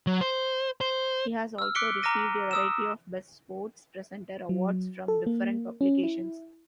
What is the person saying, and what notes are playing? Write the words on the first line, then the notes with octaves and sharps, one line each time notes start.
He has also received a variety of best sports presenter awards from different publications.
F#3
C5
C5
E6 F6
D6 F#6 B6 C#7 D7 G7
A#5 D6 F6 A#6 D#7
D#6 E6 E7
F#3
A4
A#3
C#4
E4